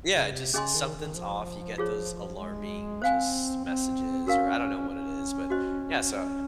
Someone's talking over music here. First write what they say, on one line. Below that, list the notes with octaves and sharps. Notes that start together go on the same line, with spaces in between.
Yeah, just something's off. You get those alarming, just messages, or I don't know what it is. But, yeah, so
C#3
C3
C#3 C#4 G#4 D#5 G#5 C6
D#3
D#3
F3
F4 G#4 C#5
G#3
C4 C5 F5 G#5
C4
C#4 F#4 A#4 F5
C#4
F#4 C5 D#5
C#4